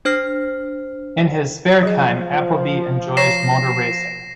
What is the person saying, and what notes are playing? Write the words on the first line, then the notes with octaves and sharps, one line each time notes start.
In his spare time, Appleby enjoys motor racing.
D4 C5 F6 A#6 C7
F3 F#3 G#4 D#5
C#5 A#5 C#6 A#6 C7 E7